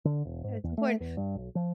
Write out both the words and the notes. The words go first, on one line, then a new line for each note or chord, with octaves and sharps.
Yeah, it's important,
D3
E1
G#2
E2
A3
E2
G2
B1
F3